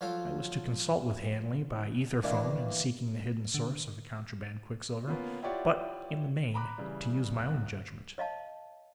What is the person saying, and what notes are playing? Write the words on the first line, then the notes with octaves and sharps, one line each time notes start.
I was to consult with Hanley by ether-phone in seeking the hidden source of the contraband quicksilver, but, in the main, to use my own judgment.
F3 F#3 F4 A4
D#3 E3 A#3 D4
D3
A#3 B3 C#4 F4
E4 F4 G4 C#5 D5 F#5
A#5 B5 D6 F#6
C#3 E3 G3
C2 F#6
C#5 D#5 F5 A5